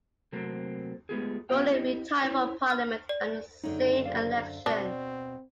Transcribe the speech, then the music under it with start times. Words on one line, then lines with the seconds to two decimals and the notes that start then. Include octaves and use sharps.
Rowling retired from parliament at the same election.
0.32 C3 F#3 A3 A#3 C4
1.09 G#3 A3 B3 F4 G4 G#4
1.49 B3 F4 G4 D5 F5 G5
1.69 C4 E4 G4 D#5
2.21 C#4 E4 G#4 C5 C#5
2.70 F6
3.09 D5
3.64 F#1 F#2 D3 D#4
4.06 F#1 C5 D5 F5
4.66 B2 C4 D4 F#4